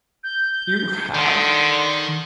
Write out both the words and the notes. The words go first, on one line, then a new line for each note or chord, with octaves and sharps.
"You have?"
G6
D3 D#3 C6